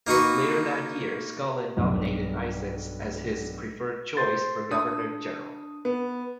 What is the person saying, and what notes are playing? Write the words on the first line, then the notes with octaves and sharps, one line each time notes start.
Later that year, Scullin nominated Isaacs as his preferred choice for governor-general.
A#3 D#4 F#4 B4
B1 G2
C5 C6 A6
D4 D#6
B3